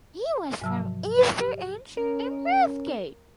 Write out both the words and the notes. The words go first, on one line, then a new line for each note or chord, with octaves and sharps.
He was from Easter Inch in Bathgate.
G#2 C3 F#3 A5 E6
F3
G4
C#4 A#4